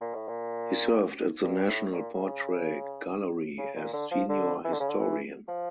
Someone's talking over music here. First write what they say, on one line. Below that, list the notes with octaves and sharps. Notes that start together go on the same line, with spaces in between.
He served at the National Portrait Gallery as senior historian.
A#2
A2
A#2
G2
A2
A#2
C#3
C#3
A#2
D3
F3
D3
E3
D3
C#3
D3
E3
F3